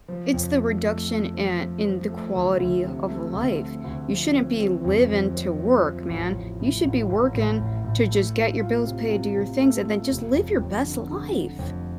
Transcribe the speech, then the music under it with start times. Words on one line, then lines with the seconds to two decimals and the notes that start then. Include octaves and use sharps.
It's the reduction, eh, in the quality of life. You shouldn't be living to work, man. You should be working to just get your bills paid, do your things, and then just live your best life,
0.08 F3
0.34 F2
0.59 A3
0.84 A3
1.08 A3
1.34 F3
1.59 F3
1.84 F3
2.09 A3
2.34 D2
2.59 D2
2.84 C3
3.08 A3
3.33 D2
3.58 A3
3.84 D2
4.09 F3
4.34 C4
4.59 C4
4.84 F2
5.09 F3
5.34 C4
5.59 C4
5.84 F3
6.10 A1
6.33 A1
6.60 A2
6.85 A1
7.10 A1
7.34 A2
7.59 A1
7.84 A2
8.09 A3
8.35 F4
8.59 F4
8.84 C3
9.09 C3
9.34 C3
9.59 A3
9.84 F4
10.10 F1
10.34 F2
10.59 F2
10.84 D3
11.09 D3
11.34 D3
11.59 F2